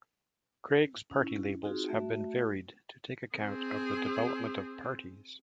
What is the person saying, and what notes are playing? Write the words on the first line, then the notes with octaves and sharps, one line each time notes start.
Craig's party labels have been varied to take account of the development of parties.
C#4 E4
C4 D#4 F4 F#4 G#4
A3 F#4 E5
C4 G#4